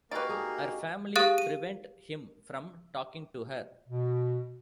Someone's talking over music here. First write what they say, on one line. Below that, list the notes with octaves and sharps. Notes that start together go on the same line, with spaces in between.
Her family prevent him from talking to her.
A#3 D#4 F#4 G4 B4 D5
G#4 G#5 A#5
G4 G#4 F5 D#6 F#6 A6
D#7
B2